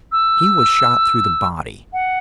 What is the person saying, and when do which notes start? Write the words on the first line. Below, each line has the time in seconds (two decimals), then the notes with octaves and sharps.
He was shot through the body.
0.12 E6
1.93 F#5